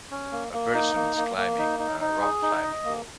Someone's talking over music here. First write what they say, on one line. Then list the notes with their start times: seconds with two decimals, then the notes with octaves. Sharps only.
A person is climbing a rockclimbing wall.
0.11 C#4
0.32 A#3
0.53 A#3
0.74 D#4
0.96 A#3
1.17 A#3
1.37 A#3
1.58 D#4
1.79 D#4
2.01 D#4
2.22 G#4
2.42 D#4
2.64 D#5
2.85 A#3